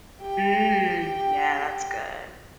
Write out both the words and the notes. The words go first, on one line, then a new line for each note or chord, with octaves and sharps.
Mm. Yeah, that's good.
G4 G5